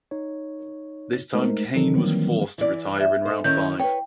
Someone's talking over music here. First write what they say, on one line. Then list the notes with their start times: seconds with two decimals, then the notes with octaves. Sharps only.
This time Kane was forced to retire in round five.
0.11 D#4 C#5
1.34 G#3 A3 D#4 A#4 C5
1.75 D#3 E3 F#3 D#4 A4
1.95 D#3 E3 F#3 G3 A#3 C4
2.58 E3 D5
3.00 E5
3.25 A4 C5
3.44 D#3 C#4 E4 G6
3.80 B4 C#5 G5